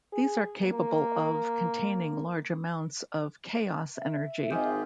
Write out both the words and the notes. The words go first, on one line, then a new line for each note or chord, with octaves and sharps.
These are capable of containing large amounts of chaos energy.
G#4
A#3
E5
G#1 F4 G4 G#4 D#5 G#5 G6